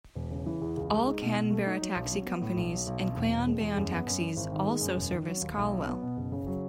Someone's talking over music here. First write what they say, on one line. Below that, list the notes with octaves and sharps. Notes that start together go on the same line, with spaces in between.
All Canberra taxi companies and Queanbeyan taxis also service Calwell.
E1
C#3
E3
E2
C#2
G#3
D#4
B2
B2
A3
D#4
F#3
B1
F#3
B3
A2
B1
F#3
B1
B2
E1
B2
G#3
E2
F#2
B3
F#2
E3
G#1
D#3
G#3
F#2
E1
D#3
F#3
D#2
B1
F#3
B3
B2
F#1
C#3
F#3